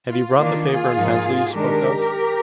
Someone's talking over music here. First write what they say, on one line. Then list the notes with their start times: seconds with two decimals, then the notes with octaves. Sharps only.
Have you brought the paper and pencil you spoke of?
0.10 F4
0.39 D#3 A#3 D4 F4
0.68 F4 G#4
0.97 G#2 F3 A#3 D#4
1.54 D#3 G#3 D4 G4 A#4